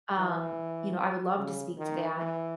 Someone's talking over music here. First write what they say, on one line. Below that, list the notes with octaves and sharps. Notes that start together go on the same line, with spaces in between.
Um, you know, I would love to speak to that.
E3
C#3
D#3
E3